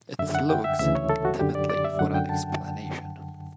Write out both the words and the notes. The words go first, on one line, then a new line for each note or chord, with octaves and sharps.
It looks timidly for an explanation.
F#2 D3 E5
F#5
G5
E5
D2 C#3 E3 E5
C#5
A4
F#4
F#2 D3 G4
D5
D5
E5
F#2 D3 F#5
G5
A5